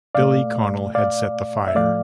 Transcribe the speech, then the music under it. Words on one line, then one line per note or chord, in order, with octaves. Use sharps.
"Billy" Connell had set the fire.
A#2 A3 D5 F5
D5 F5
E5
A2 F3 A3 D5 F5